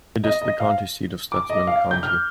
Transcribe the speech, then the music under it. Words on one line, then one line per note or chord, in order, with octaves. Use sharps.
It is the county seat of Stutsman County.
D#5
D#5
F5
D6
D#5
F5
G6
F6